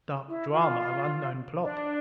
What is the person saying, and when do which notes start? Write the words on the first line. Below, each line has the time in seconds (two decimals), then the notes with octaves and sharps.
Dark drama of unknown plot!
0.28 E4
0.51 F4
1.62 D4